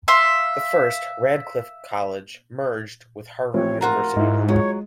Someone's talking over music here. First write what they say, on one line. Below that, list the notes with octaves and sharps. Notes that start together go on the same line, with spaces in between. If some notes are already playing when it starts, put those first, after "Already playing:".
The first, Radcliffe College, merged with Harvard University.
E5 F5 C6
A1 F3 C4 C#5
F4 F#4 A#4 A#5
G#2 D#4 E4
F#3 G#3 F4 C#5